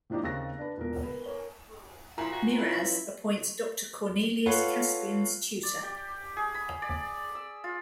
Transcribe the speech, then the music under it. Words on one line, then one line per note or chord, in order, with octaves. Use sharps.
Miraz appoints Doctor Cornelius Caspian's tutor.
A2 F3 D4 D#4 G4
D#2 C#3 C4 E6 F#6 A#6
D4 B4
E1 A#2 A#4
A#4 B4
A#4 C#5
A#2 F3 E4 A#5
F#4
C#4 E4 F4 B4
F4 A4 B4 C#5 F5 F#5
D5
G4
G#4
B5
D5
E6
F4